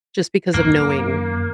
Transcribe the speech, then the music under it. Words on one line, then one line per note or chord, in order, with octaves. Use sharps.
just because of knowing
F#2 D#3 A#3 C#4